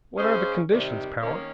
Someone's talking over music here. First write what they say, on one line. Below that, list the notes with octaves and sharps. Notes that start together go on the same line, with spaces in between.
"What are the conditions, Powart?"
C#3 G#3 C#4 G#4 C5
C3 D#3 G3
D#3 A#3 C#4